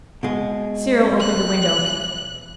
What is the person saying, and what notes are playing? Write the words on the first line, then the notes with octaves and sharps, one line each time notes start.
Cyril opened the window.
B2 G#3
F#6